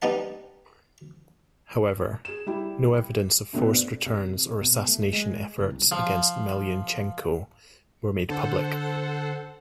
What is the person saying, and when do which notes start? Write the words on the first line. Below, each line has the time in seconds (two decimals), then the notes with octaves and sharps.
However, no evidence of forced return or assassination efforts against Melnychenko were made public.
0.02 G3 B3 D#4 D#5 F#5 A5
2.25 G#4 E7
2.47 G3 E4 G4
3.53 G2 B2 A3 B3 C4 D4
4.06 C3
4.62 B2
4.88 A3
5.13 G#3
5.58 F#1
5.70 C2
5.92 F3
8.29 D3 A4 C5 F#5